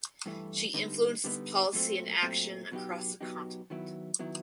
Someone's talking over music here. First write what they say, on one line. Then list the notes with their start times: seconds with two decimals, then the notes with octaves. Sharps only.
She influences policy and action across the continent.
0.26 G2 E3 A3
0.74 D3 G3 B3 D#4
1.24 D3 G3 B3 D#4
1.73 A#2 F#3 A3 C4
2.22 A#2 F#3 A3 C4
2.72 B2 F#3 B3 D#4 G4
3.21 B2 F#3 B3 D#4 G4
3.70 D#3 F#3 B3 E4
4.19 D#3 F#3 B3 E4